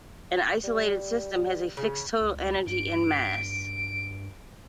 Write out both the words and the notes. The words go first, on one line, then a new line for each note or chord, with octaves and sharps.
An isolated system has a fixed total energy and mass.
G3
C#3
C#2
G2 D7